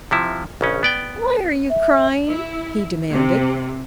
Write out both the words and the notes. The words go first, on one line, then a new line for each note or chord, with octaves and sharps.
"Why are you crying?" he demanded.
C3 F3 E4
A#1 C#3 C#4
B3 D5 G5
E5
E4
C3